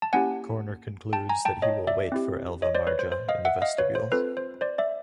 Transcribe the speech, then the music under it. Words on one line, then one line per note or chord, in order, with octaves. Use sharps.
Corner concludes that he will wait for Elva Marja in the vestibule.
A5
A#3 C#4 E4 G4 F#5 G#5
G5 A5
G#5 A#5
G5 A5
C#5 D#5
D5 E5
C4 E4 G4
C#5 D#5
C5 D5
B4 C#5
C5
C5
D#5 F5
E5 F#5
D#5 F5
B4 C#5
C5
C4 F4 A4 B4
C5
C5 D5
D5 E5